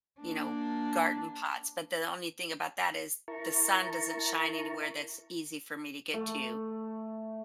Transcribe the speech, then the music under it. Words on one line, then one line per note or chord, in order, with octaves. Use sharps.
you know, garden pots, but the only thing about that is the sun doesn't shine anywhere that's easy for me to get to.
A#3 D4
E4 A#4 A5 A#5 C#6
A3